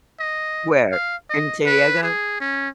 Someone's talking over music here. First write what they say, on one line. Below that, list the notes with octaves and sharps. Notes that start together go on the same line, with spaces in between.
Where? In San Diego?
D#5
F5
D#5
B4
G#4
C#4